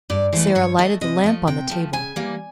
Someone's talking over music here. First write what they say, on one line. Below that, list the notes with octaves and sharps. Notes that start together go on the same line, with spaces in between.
Sara lighted the lamp on the table.
G2 D5
E3 A3 B4 C5
C5
G2 C#5
E3 A3 D#5
C3 D#5
F3 A3
C3 G5
F3 A3
C#3 G#5
E3 G3 A#3